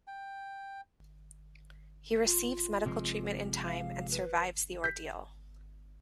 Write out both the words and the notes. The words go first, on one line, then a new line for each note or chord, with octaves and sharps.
He receives medical treatment in time and survives the ordeal.
G5
F4
C3 F3 G#3
F5
B4
G6 B6